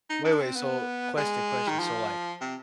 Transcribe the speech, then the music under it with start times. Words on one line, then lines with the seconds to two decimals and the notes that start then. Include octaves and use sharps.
Wait, wait, so question, question, so, like
0.10 D#4
0.25 D4
0.40 C4
0.56 B3
1.17 G#3
1.68 D#3
1.79 F3
2.41 C3